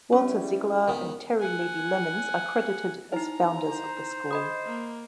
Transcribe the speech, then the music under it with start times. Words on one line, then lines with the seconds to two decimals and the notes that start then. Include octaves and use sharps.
Walter Ziglar and Terry Leavey Lemons are credited as founders of the school.
0.12 G3 C#4 E4
0.88 G#1 C#2 D#3 B3 B4
1.40 F#5 G#5
3.13 D#4 E4 A#5
3.68 C5
4.31 D#5 B5 D#6
4.66 A#3